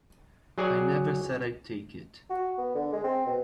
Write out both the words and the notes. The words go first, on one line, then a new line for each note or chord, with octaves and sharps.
I never said I'd take it.
F#3 G#4 D5 G#5
F#4
B3
D3
G#3
C4
B2